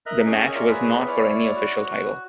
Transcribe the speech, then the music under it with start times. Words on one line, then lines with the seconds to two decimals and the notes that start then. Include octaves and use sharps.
The match was not for any official title.
0.06 A#4 D#5 E5 F6 F#6
0.26 C#4 G#4 D#5 G#5
0.55 F4 A#4 C#5 D5 E5
0.70 G#4 B4
1.08 E4 C#5 D5 F6
1.55 F#4